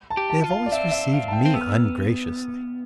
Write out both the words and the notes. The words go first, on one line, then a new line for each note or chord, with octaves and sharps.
They have always received me ungraciously.
A5
G4
A5
E4
F4
F5
D5
C4 E5
E5
F5
A5
G5
C4
B3 E6
F6
E6